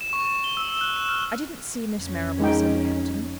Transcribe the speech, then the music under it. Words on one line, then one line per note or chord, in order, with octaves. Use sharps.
"I didn't see Miss Marrable," said the Captain.
E7
C#6
E7
G7
E6
E7
F#6
E7
F6
F2 C#4
G#3 D#4 G5